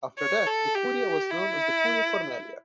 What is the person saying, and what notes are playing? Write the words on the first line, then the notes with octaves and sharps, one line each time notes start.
After that the Curia was known as the Curia Cornelia.
C#5
A4
G4
E4